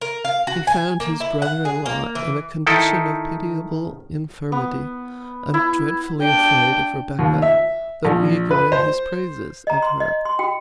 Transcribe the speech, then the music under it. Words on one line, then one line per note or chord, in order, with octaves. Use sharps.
He found his brother-in-law in a condition of pitiable infirmity--and dreadfully afraid of Rebecca, though eager in his praises of her.
A#4
F5
F#4
G#5
A#3
E4
F#5
G#4
A#3
E3
D#3 D#4 E4 A4 G5
B3
E4
D4 G5
D#2
E5
A#1
B4
C5
D#5 A#5
C6
D#5
C6
F#4 G5